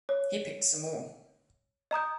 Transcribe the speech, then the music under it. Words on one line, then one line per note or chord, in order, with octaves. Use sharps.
He picked some more.
C#5
D#5 A#5 D#6 G6